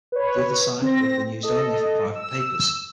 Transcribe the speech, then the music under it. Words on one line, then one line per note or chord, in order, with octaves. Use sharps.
The other side would have been used only for private papers.
B4 C#5
C4 A#6
A4 D#5
E6